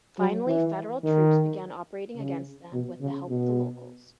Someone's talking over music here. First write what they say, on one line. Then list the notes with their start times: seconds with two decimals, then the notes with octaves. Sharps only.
Finally Federal troops began operating against them with the help of the locals.
0.19 F#3
0.47 E3
1.03 D#3
2.16 C#3
2.72 B2
3.01 C#3
3.29 B2